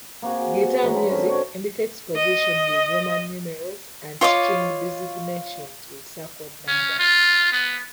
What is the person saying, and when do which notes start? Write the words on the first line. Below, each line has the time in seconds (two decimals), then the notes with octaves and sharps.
Guitar music indicates position with Roman numerals and string designations with circled numbers.
0.22 A#3 C4 F#4 G#4
0.60 B3
0.83 E3 F#3 G#3 A#4
0.96 D#4 A4 D#5 B5
1.10 D3 C4 C#4 C5
1.29 F#4 B4 C#5 D5
2.16 D#5
4.21 F4 C#5 D#5 D6
6.68 C#4
6.99 F4
7.52 B3